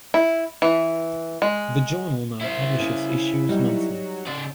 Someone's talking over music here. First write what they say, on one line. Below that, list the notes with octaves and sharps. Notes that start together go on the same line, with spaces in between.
The journal now publishes issues monthly.
E4
E3
G#3
E4 C5
C#3
F#3 G3 D#4
C#3 D5